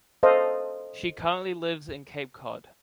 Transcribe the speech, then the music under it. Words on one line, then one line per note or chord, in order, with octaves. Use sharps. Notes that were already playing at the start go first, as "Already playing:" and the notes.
She currently lives in Cape Cod.
A4 C5 D#5 F5